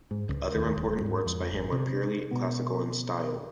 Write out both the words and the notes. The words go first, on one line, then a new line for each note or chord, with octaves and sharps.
Other important works by him were purely classical in style.
G#2
C#2
D#2
D#1
G#2
F2
G#1
C3
B2 B3